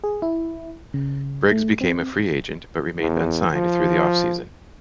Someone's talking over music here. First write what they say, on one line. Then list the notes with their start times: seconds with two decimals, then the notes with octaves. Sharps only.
Briggs became a free agent but remained unsigned through the offseason.
0.04 G#4
0.22 E4
0.94 C#3
1.52 A3
1.81 C4
3.00 E2
3.54 F3